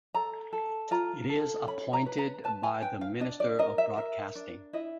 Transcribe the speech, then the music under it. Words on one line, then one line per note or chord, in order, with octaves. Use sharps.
It is appointed by the Minister of Broadcasting.
A4 A#5
A4
F4 A#5
A4
C#4 B5
A#5
B4
A#5
B4 A5
G#5
B4 G5
F5
D4 D#5
D5
A#4 D#5
E5
A#4 E5
D4
E4 D#5